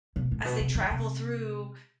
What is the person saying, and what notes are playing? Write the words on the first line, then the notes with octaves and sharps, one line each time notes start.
as they travel through
B2
A2
B2
C3
D#3
C3